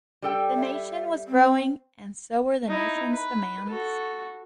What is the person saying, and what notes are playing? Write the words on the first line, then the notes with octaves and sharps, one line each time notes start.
The nation was growing, and so were the nation's demands.
G3 A4 G5
E5
C4
D#4 E4
B4
F#4 A4